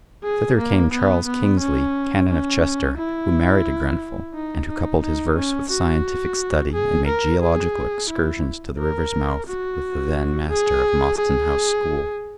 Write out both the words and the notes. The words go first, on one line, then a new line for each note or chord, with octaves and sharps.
Thither came Charles Kingsley, Canon of Chester, who married a Grenfell, and who coupled his verse with scientific study and made geological excursions to the river's mouth with the then Master of Mostyn House School.
G#4
A#3
B3
B3
C#4
C#4
E4
D#4
D#4
D#4
C#4
F#4
G#4
A#4
G#4
E4
A#4
F#4
G#4
G#4